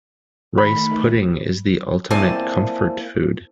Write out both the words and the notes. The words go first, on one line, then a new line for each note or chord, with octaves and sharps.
Rice pudding is the ultimate comfort food.
D#3 A3 B5
A#3 C4 E4 D5 G#5 A5